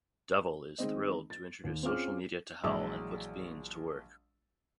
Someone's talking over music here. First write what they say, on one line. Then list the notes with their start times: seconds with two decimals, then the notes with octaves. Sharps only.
Devil is thrilled to introduce social media to Hell and puts Beans to work.
0.78 D#3 G#3 C4 D#5
1.30 A6
1.64 D#2
1.83 C4 C#4 F4 G#4 D6 F6
2.64 A#1 E3 F#3 G#3 A5 E6